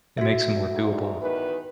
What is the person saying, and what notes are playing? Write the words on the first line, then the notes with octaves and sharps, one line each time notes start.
It makes it more doable.
F#4 E5
D2 G#2
E2 D#3 B4